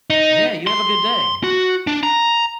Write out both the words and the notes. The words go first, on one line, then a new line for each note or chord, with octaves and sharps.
Yeah, you have a good day.
D#4
C6
F#4
D4
A#5